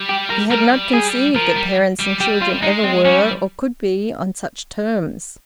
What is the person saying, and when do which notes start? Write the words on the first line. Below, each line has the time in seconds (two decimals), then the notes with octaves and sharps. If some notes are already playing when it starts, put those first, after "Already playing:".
He had not conceived that parents and children ever were or could be on such terms.
Already playing: G3
0.09 G4
0.30 A#4
0.51 G3 A#4
0.93 G#4
1.35 F3 A#4
1.56 G3
1.99 G3
2.20 G3 G4
2.42 F4
2.62 G#3 D#4
2.84 C4
3.05 G3 C#4